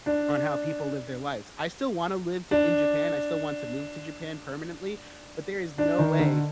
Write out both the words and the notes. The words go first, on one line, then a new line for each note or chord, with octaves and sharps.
on how people live their lives. I still wanna live t in Japan, I still want to move to Japan permanently, but there is no way
D4
D4
D4
D#3
D3